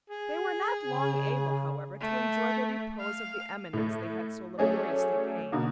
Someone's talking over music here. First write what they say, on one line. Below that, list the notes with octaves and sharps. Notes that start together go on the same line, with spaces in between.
They were not long able, however, to enjoy the repose of the eminence they had so laboriously gained.
G#4
C#3
A3
F5
A2 A3
F#3 A3 C#4 G#4 D5
B2 D3 A#3